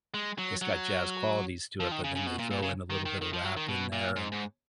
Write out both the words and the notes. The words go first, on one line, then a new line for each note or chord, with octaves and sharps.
this got jazz qualities to it, but then they throw in a little bit of rap in there and
G#3
F#3
F#3
F3
D#3
C#3
C#3
B2
A#2
A#2
C#3
D#3
D#3
D#3
F3
F#3
D#3
B2
A#2
G#2
G#2